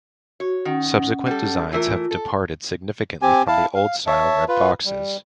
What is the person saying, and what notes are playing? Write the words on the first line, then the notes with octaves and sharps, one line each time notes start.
Subsequent designs have departed significantly from the old style red boxes.
F#4 C#5
D#3 C#4 F#5
G3 A4
E3 A3 F4 A#4
A4 A5
C4 G4 G#5
E4 F5 A5
F5
C#5 E5 A5
F4 B4
G3